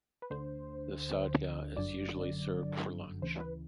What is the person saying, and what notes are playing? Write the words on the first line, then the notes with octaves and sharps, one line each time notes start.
The sadhya is usually served for lunch.
B4
D2 D3 C5
G1 F#2 D3 D5
D2 C#3 E3 C5
B4